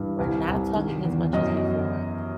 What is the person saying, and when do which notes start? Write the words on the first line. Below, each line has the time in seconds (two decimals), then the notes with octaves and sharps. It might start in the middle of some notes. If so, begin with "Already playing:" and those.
we're not talking as much as before,
Already playing: G2 E3
0.19 C2
0.48 C2
0.76 D#3
1.05 E2
1.33 F#2 D#5